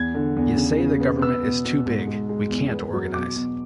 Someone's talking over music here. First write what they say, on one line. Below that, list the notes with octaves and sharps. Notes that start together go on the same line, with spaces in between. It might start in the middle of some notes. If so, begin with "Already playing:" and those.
You say the government is too big; we can't organize.
Already playing: E2 G#6
D3
E2
C#3
C#3
B3
B3 E6
B2
B2
G#2
G#3
G#3
E2
B3
F#3
B2 D6
B2